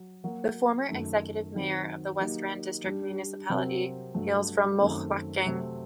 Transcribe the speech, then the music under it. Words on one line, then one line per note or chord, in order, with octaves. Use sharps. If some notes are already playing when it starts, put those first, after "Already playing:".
The former Executive Mayor of The West Rand District Municipality hails from Mohlakeng.
Already playing: F#3
F#3 A#3 F#4
F#2 D#3 A3
D#3 F#3 C4
F#3 A#3 D#4 G4 A#4
G3 D4 G4
C3 F#3 C4 G4 A#4
G2 F#3 A3
F#2 D#3 A3 C4
C3 F#3 A3 C4